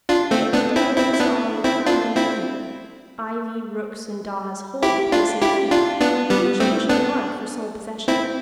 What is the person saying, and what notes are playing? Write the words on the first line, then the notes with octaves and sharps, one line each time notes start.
But today it is all a crumbling heap; ivy, rooks and daws hold the place in fee, each pushing hard for sole possession.
D4 F4
A3 C4
B3 D4
C4 E4
C4 E4
E4
B3 D4
C4 E4
D4 F4
C4 E4
E4 G4
D4 F4
E4 G4
D4 F4
B3 D4
G3 B3
A3 C4
B3 D4
C4 E4